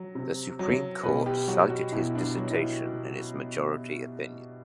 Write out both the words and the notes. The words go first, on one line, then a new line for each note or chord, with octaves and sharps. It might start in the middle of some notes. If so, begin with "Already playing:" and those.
The Supreme Court cited his dissertation in its majority opinion.
Already playing: F#3
C3
F#3
B2 B4
G4
F#3 F#4
F#4
B2 E4
D4
E4
F#3
E4